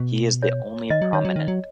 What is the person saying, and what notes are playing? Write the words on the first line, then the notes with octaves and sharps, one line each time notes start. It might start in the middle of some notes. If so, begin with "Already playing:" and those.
He is the only prominent.
Already playing: B2
C#5
D#3 D#5
F#3
D#3 C#5
F#3
D#3
F#3